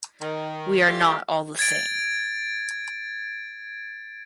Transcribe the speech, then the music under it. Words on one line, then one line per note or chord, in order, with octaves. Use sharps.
We are not all the same.
D#3
E3 G3 A3 F4 G4
G#6 A6 D7